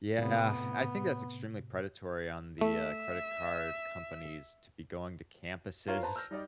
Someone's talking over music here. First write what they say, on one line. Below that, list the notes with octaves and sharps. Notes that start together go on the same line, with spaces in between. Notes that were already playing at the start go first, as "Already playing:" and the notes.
Yeah, I think that's extremely predatory on the, uh, credit card companies to be going to campuses
A2 C3 B3
A3 E5
F4 A#4 C#5 F5
B4 C5 A5 A#5
E6 F6 G6 A#6
G3 D#4 D5 D#5